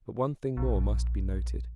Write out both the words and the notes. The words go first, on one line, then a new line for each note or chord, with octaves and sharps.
But one thing more must be noted.
A#1